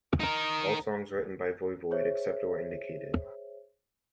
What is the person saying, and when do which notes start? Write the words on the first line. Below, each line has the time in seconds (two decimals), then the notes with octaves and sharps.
All songs written by Voivod, except where indicated.
0.20 D#4 A#4
1.91 G#4 C5 C#5 E5